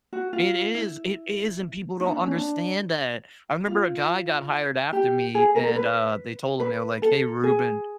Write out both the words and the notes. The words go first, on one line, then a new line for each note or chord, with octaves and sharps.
It is! It is, and people don't understand that. I remember a guy got hired after me, and, uh, they told him, they were like, "Hey, Ruben"
F#4
F4
E4
D#4
D4
C#4
D4
F4
G4
G#4
A#4
A#4
B4
B4
A4
G#4